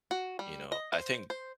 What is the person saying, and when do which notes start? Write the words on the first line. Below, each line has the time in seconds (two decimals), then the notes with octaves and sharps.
You know, I think,
0.11 F#4
0.39 G3
0.72 D#5
0.93 C5
1.30 C5